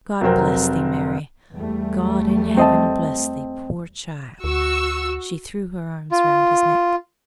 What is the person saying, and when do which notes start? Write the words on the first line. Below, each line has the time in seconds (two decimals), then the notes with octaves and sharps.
"God bless thee, Mary!--God in heaven bless thee, poor child!" She threw her arms round his neck.
0.21 F1 F#3 C4 A#4
1.54 E2 G3 A3
2.57 C4 D#5 A5
4.44 D2 F#4 C#6 E6
6.12 F4